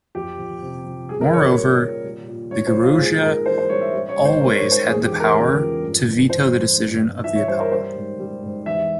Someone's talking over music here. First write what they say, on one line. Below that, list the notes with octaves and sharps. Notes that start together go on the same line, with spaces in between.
Moreover, the gerousia always had the power to veto the decision of the apella.
F2 G4
F2
C3
F3
G3 G#4
A#4
A#2 C#5
C#5
G3
A#2
G3
A#2
G3 C#5
C5
A#2
F4
G#2 G#4
G#2 A#4
E3 C5
C5
G3 C#5
E5
G3 C#5
C#5
G#2
C5
G3 A#4
C#5
G#2
C5
E2 G#4
G4
E2
A#4
C#3
F3
G2
G2
E3 C5
G3
G2
G2
E3 E5
C#5
G3 C5
A#4
G3 C5
G#2
G3
G#2
E2 E5